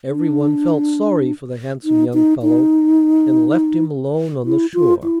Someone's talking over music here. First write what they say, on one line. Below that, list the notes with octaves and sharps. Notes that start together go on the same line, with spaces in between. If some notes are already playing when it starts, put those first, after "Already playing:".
Everyone felt sorry for the handsome young fellow and left him alone on the shore.
D4
D#4
D#4
D#4
E4
F4
E4